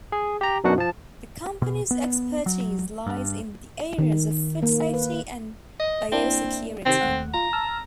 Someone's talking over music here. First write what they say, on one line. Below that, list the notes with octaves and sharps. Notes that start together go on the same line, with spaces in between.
The company's expertise lies in the areas of Food safety and Biosecurity.
G#4
G4 A#5
F#2 B2 D4 D#4 F#4 F#5
F3 A5
B2
B3
F#3
G2
D#3
A#3
B4
D#5
A#3 C4 D4 E4
C3 D#3 C4 G4
D#2 A3 F#5
F4 A#5
A5 E6 F6